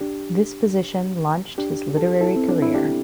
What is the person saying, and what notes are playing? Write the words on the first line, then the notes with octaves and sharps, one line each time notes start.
This position launched his literary career.
D4 G4
D4 G4
A4
E4 A4
C4
D4
E4
D4 G4